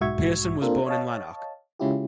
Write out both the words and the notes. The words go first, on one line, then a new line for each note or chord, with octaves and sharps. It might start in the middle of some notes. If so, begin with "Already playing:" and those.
Pearson was born in Lanark.
B1 G#2 F#4 E5 C#6 G#6
A#3 C4 D4 F4 A4 A#4
C#5 D#5 F5 A5
C#3 G#3 C#4 E4 F4 G4